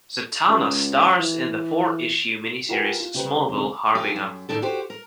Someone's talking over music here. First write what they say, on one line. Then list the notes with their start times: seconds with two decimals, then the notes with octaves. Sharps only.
Zatanna stars in the four-issue mini series, "Smallville: Harbinger".
0.49 C#2
1.19 E3
2.69 F4 G4 A#4 B4 F#5 G#5
3.00 F4
3.14 C#3 G3 G4 B4 C5 A#5
3.48 D1 C2 C#4 G7
3.95 F2 D#4 G4 G#5
4.16 F#2
4.49 A2 D#3 D4 A4
4.62 F#4 G4 C5
4.90 A#4